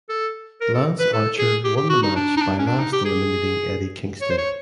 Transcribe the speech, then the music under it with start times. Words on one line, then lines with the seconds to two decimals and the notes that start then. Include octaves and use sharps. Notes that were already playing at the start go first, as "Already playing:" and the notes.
Lance Archer won the match by last eliminating Eddie Kingston.
0.09 A4
0.61 A#4
0.74 A4
0.99 B4
1.13 A4
1.39 G#4
1.64 G4
1.77 G4
1.90 F#4
2.03 D#4
2.16 D4
2.37 D#4
2.41 D4
2.59 C#4
2.67 D4
2.79 D#4
2.93 G4
3.05 G#4
4.21 C#5
4.31 C5
4.38 C#5